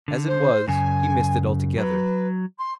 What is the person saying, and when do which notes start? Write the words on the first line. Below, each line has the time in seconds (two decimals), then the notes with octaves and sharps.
As it was, he missed it altogether.
0.08 D3
0.27 C5
0.68 F#2 C#3 G#5
1.78 F#3 B4
2.58 C6